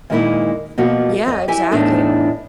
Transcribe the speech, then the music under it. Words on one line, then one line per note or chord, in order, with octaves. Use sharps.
Yeah, exactly.
A#2 D#3 G#3 A#3 D#4 E4
B2 F3 A#3 F#4
F2 D#5
E4 G4 E5 G#5
E2 A2 D4 D#4 A4